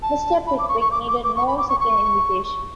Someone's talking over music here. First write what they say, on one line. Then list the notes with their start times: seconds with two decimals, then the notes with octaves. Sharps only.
Mr. Pickwick needed no second invitation.
0.02 A5
0.47 B5
0.59 D6
0.69 C#6
0.80 C#6
0.91 D6
1.08 D6
1.24 D6
1.36 C#6
1.47 B5
1.58 D6
1.69 C#6
1.80 C#6